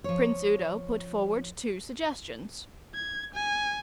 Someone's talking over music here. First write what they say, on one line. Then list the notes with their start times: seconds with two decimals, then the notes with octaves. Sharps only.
Prince Udo put forward two suggestions.
0.04 F3 C#5
2.95 G#6
3.34 G#5